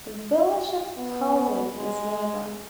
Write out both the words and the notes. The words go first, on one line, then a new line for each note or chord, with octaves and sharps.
The village of Caldy is nearby.
B3
G#3